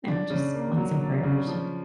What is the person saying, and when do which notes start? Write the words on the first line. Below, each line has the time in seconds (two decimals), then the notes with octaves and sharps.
you know, just want some prayers or
0.08 D4
0.30 C#3
0.54 A#3
0.77 F#3
1.01 D4
1.23 C#3
1.48 F3